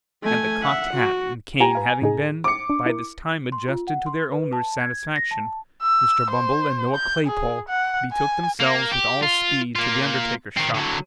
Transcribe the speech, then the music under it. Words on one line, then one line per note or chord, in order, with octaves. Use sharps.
And the cocked hat and cane having been, by this time, adjusted to their owner's satisfaction, Mr. Bumble and Noah Claypole betook themselves with all speed to the undertaker's shop.
A3 G#5
E5 F#5
F#4
F4 G4 G5 G#5 A#5
B4 F5
A2 D#4 G#4
D6 C#7
D4
E4 A#4
C6
F4
F#5
C6
B4
A5
G#6
A#6
A5
E6
C5
G6
G#4
F#5
G#5
A#3
G4
F4
A#3 F4
D#3 C4
D3 F#3